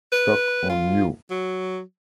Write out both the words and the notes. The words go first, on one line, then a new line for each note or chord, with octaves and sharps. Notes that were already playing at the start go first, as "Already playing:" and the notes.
Stuck on You!
B4
F4
F#3